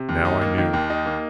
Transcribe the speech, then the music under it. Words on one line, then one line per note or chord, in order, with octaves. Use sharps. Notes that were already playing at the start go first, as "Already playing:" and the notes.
Now I knew!
Already playing: C3
D#2
D#4
A#3
D#3
D#2
D#4
A#3